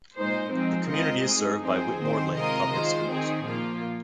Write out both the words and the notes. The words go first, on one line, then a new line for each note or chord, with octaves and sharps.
The community is served by Whitmore Lake Public Schools.
A#2 G#3 D#4 C5
F3 G#3 C4 D#4
G#3 C4 F4 A#4 D#5
G#3 D#4 G#4
F3 C4 D#4 G#4 C5
D#3 C4 D#4 C5
C3 G#3 F4 A#4 D#5
D#3 G#3 F4 C5
D#3 C4 D#4 G#4
A#2 F3 A#3 F4